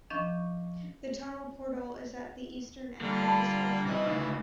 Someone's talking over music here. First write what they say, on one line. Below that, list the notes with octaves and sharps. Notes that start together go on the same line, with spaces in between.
The tunnel portal is at the eastern end of the station.
F3 C#4 D4 D#5 C#6 G6
D3 G3 A#3 D4 F4
D5 A5 B5
C3 E3 D#5
D2 C#3 D#4